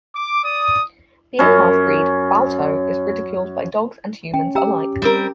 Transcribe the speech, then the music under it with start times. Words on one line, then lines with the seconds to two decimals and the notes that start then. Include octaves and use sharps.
Being half-breed, Balto is ridiculed by dogs and humans alike.
0.16 D6
0.44 D5 D#6
1.39 F#2 C#4
4.34 C#4 G5
4.55 G4 G5 A#5 E6
5.02 G3 C4 A#4